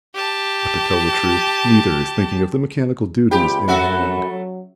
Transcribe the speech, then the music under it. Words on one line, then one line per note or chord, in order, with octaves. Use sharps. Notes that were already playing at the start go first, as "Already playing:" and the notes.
But to tell the truth, neither is thinking of the mechanical duties in hand.
G4 A5
C#2 F4 G4 G#4 G5 B5
F#2 A3 C#4 F#4 E5 F#5
F#3